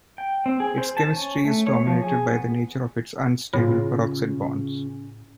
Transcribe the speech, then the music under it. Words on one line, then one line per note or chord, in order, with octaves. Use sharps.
Its chemistry is dominated by the nature of its unstable peroxide bond.
G5
C4
G#4
C5
A5
C#4
A3
C#5
F3
G#4
B3
A2 C#3 F4